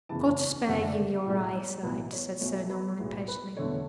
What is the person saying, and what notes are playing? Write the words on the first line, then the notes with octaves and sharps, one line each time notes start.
"God spare you your eye-sight!" said Sir Norman, impatiently.
F#1 E2 C#3 E3 A5
F#1 E2 D3 A3 F#5
E5
D5
B1 A2 G#3
C#5
B1 A2 E3 B3 B4
C#5
B1 B2 A3 C#5
B4
B1 A2 G#3 B3
B4
E1 E2 D3 A3 C#5